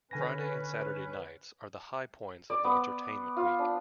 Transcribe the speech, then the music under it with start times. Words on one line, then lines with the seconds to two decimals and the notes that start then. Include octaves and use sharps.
Friday and Saturday nights are the high points of the entertainment week.
0.11 D3 C#4 B4 G#5 A#6
2.50 D5
2.64 B3
3.37 F4
3.59 D4